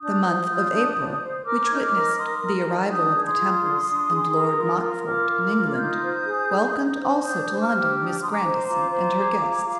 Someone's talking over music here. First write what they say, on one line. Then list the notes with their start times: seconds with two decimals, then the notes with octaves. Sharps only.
The month of April, which witnessed the arrival of the Temples and Lord Montfort in England, welcomed also to London Miss Grandison and her guests.
0.01 D4 D#6 G6
0.24 C5
0.48 F4
0.73 D4
0.97 D4
1.22 C5
1.45 A#4 D6 F6
1.66 G#6
1.69 D#4 G6
1.82 D6 F6
1.94 A#4
2.17 D#4 C6 D#6
2.41 A#4
2.65 D#4
2.84 F6
2.89 D4 D#6 G6
3.14 G#4
3.25 C6 D#6
3.37 F4
3.61 D4
3.86 D4
4.10 G#4
4.34 A#4
4.58 F4
4.82 A#4
5.06 F4 D6 F6
5.30 A#4
5.54 F4
5.73 G#6
5.78 D#4 D#6 G6
6.03 C5
6.26 G#4
6.51 D#4
6.74 D#4
6.99 C5
7.23 D4 D#6 G6
7.47 C5
7.59 D6 F6
7.72 G4
7.95 D4 F6
8.04 D#6
8.13 D6
8.20 D4 C6 D#6
8.31 A#5 D6
8.44 C5
8.67 F4 A#5 D6
8.91 C5
9.16 G#4
9.40 F4
9.63 F4